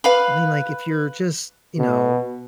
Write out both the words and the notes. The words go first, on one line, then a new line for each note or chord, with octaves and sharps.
I mean, like, if you're just, you know,
B4 F5 B5
B2